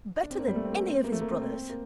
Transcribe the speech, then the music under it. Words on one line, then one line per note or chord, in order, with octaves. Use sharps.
Better than any of his brothers.
D4
C4
A#3
G3
A3
C4
A#3
C4
A#3
A3
A#3
C4
C4
C4
A#3